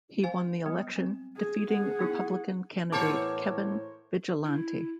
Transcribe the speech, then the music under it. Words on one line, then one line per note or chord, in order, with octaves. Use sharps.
He won the election, defeating Republican candidate Kevin Vigilante.
C5 F5 G#5
F#3 G3 B3
C4
G#4
G#4 F#5
B3 D#4 E4
A2 E3 B3 A#4 C5 C#5 A5 D6
E4